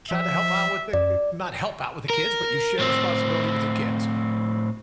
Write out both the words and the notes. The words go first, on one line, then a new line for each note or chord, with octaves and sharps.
try to help out with the eh, not help out with the kids, but you share responsibility with your kids.
F3 E5
F#2 D5
A#4
A2 C4